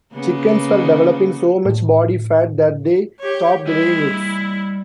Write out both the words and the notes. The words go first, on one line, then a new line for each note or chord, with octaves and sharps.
Chickens were developing so much body fat that they stopped laying eggs.
C#3 A#3 B3
A2
G4 C#5
G3 E4 D#5